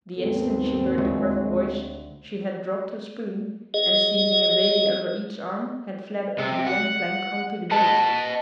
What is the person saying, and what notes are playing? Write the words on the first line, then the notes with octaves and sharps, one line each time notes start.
The instant she heard the gruff voice she had dropped her spoon, and, seizing a baby under each arm, had fled up the gangplank on to the boat.
D#2 G#2 B3 C4 A4
D2 G#3
G#4 D#5
C3
F#5
D#5 F#5 A5